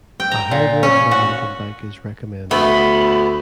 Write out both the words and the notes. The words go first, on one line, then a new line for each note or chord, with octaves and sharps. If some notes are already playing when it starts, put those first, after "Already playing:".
A hybrid or mountain bike is recommended.
G5
A#5
A#2
C#4
F#4
D2 A3 B3 B5